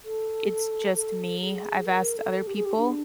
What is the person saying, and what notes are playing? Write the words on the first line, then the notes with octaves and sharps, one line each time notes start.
It's just me. I've asked other people
A4
A4
G#4
A#4
A4
G4
G#4
G4
D4